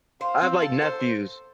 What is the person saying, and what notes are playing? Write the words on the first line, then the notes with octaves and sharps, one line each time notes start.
I have, like, nephews.
C5 F5
C4
A4
A4 C5